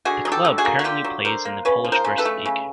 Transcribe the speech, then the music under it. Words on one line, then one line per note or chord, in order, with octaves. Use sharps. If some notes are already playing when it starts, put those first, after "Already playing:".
The club currently plays in the Polish First League.
D3 F#4 G#4
F#3
G4 A4
D3
F#4 G#4
A#3
F#4
D3 F4 G4
F#3
D3 A#4 C5
A#3
C#3 B4 C#5
F3
A#4 C5
C#3
A4 B4
A3
C#3